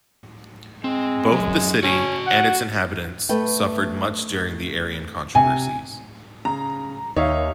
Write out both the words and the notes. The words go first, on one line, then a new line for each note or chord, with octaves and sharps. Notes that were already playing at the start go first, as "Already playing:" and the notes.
Both the city and its inhabitants suffered much during the Arian controversies.
G#3 C4
F#3 C#4
C#4 F#4 A5
F#5
A3 B4 G5
C3 G#5
C#3 A#5
D#2 D#4 C#5 E5 F5